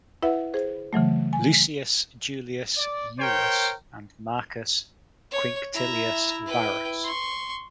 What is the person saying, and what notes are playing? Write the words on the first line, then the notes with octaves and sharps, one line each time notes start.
Lucius Julius Iulus and Marcus Quinctilius Varus.
E4 B4 E5 F#5
G#4 C5
C#3 E3 F#3 A3
G#5
D5
A#4 C5 C#5 G5
C#5
E4 E5 A#5
B4 G5
C6 C#6